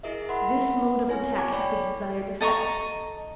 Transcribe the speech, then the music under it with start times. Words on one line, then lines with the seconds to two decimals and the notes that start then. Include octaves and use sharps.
This mode of attack had the desired effect.
0.03 E4 G#4 A#4 D#5 E5
0.29 A#4 E5 F#5 B5 C6
1.07 B3 C4 E4 C#5 G#5
1.36 C#6 D6 G#6
1.52 C#5 D5 G5 B5
2.41 A4 D#5 A#5 C#6